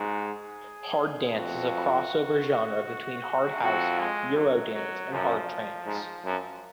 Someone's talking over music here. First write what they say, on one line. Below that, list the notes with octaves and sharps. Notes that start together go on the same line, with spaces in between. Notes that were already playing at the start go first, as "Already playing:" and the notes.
Hard dance is a cross over genre between hard house, Eurodance and hard trance.
Already playing: G#2 F#4
G#4
F2 F#4
F2 F#4
G#3
F#3
F#3
F#2 F3
G#2
F#2